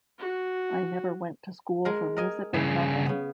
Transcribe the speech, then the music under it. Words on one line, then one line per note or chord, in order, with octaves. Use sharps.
I never went to school for music or nothin'.
F#4
G#3 A#4
A#4 D#5 G#5
G2 C#3 G#4
C#3 B3